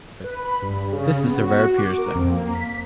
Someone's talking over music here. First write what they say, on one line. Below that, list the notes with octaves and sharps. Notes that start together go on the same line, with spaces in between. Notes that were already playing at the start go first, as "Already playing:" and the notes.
This is a rare piercing.
B4
B5
G2
C#3
B3
F#4
D6
A#4
F2
A#3
B6